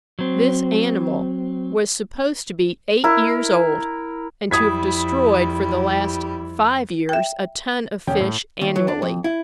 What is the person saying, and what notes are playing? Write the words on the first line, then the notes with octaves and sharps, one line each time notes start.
This animal was supposed to be eight years old, and to have destroyed for the last five years a ton of fish annually.
F#3 C4
E4 A#4
F2 G3 E4 D#6 G#6 B6
E5 G5
E1 C#4 G5
A2
D#2
F#3
D4
F2
E4